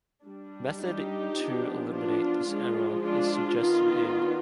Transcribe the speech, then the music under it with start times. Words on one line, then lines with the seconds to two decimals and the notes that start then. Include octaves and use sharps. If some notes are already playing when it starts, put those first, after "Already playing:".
Method to eliminate this error is suggested in.
0.23 G3 D4
0.80 D#4 G4
1.36 F3 B3 D4
1.92 D4 F4
2.48 F3 G#3 D4
3.04 D4 F4
3.60 D#3 B3 D4